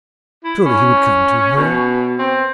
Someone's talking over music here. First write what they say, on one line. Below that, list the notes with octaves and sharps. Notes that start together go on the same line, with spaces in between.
Surely he would come to her!
E4
C#4
B2
C4